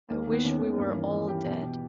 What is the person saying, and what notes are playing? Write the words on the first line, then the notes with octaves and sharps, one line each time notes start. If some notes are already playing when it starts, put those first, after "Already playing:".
I wish we were all dead.
D#2 A#3
D#3 B3
D#2 C#4
D#3
G2 A#3
E3 C#4
E3
E3 G4
B2
B2